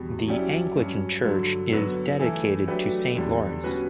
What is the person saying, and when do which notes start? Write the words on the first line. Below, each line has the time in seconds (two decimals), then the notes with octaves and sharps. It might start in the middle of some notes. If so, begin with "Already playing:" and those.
The Anglican church is dedicated to Saint Lawrence.
Already playing: E2 B2 G3
0.28 F#3 C#4 E4 G4 D5
0.76 G2 F#3 C#4
1.23 G2 D3 F#3
1.72 D3 F#3 B3 F#4
2.19 E3 A3 E4 A4
2.68 F#3 A3 D4 G4 B4
3.15 E2 D3 G3 D4
3.64 B2 G3 C#4 F#4 B4